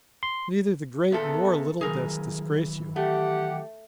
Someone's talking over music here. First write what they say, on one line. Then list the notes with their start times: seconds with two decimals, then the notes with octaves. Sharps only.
Neither the great nor little debts disgrace you.
0.23 C6
1.12 A#2 B3 G#4 A4 E5
1.81 D#3 E3 F#3 G#4 A#4
2.96 A3 G4 F#5